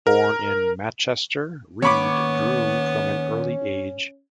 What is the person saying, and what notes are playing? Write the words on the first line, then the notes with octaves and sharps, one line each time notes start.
Born in Machester, Reid drew from an early age.
A#4
D#2 B3 C#4 C#5 B5 C#6 D6